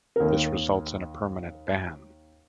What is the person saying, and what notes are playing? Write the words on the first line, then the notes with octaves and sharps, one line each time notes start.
This results in a permanent ban.
D#2 A#4